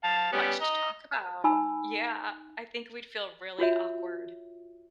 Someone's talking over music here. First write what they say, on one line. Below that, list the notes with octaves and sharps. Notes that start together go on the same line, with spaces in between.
much to talk about. Yeah. I think we'd feel really awkward.
F5 A5
G3 B3 C#4
D#5 A#5
D#4 G#5 B5 E6
F4 F#4 C#5 E5